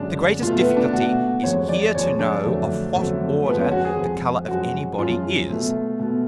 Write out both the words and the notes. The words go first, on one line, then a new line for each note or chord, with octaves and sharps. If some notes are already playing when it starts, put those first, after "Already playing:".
The greatest difficulty is here to know of what Order the Colour of any Body is.
Already playing: F#2 D3 G#3 D4
B2 A3 F4
B3
D4
B2 A3 F#4
F2 F3 G#3 C#5
D5
F2 F3 G#3 C#5
D4
F2 D3 F#3 A3
F2 D3 F#3 A3
F2 F3 G#3 B3
C#4
F#4
G#4
F2 F3 G#3
F#2 F3 G#3 F#4
F#2 F3 G#3 F4
B2 A3
B2 A3